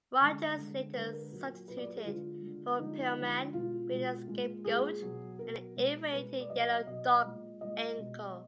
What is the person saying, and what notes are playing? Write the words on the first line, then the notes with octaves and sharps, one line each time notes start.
Rogers later substituted for Pillman, being the scapegoat in the ill-fated Yellow Dog angle.
D3 G#3
D3 G#3
D3 G#3 B4
A#4
A#2 F#3
A#2 F#3 B4
D5
B4
G#4
D3 G#3 F4
D3 G#3
D3 F3 G#3 D#4
D3 F3 G#3
B2 G#3 F4
B2 G#3
A#2 G#3
A#2 G#3 G#4
B2 F#3
B2 F#3 A#4
B2 G#3
B2 G#3 B4
D5
B2 F#3 D#5
B2 F#3 D#5
A#2 G#3
A#2 G#3 D#5
B2 G#3